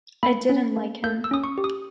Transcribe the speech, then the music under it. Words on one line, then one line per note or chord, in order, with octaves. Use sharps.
I didn’t like him.
A#3 B5
C#4
A#3
A#3 G6
E6
C#4 D#6
C#6
G4
D#6